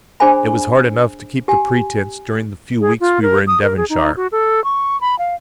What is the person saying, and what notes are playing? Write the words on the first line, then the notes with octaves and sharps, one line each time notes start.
It was hard enough to keep the pretence during the few weeks we were in Devonshire.
D4 G#4 C5 D5 G#5 B5
G4 G#5
G#4
F4
A#4
D#6
A#4
G#4
D#4
F#4
A4
C#6
B5
F5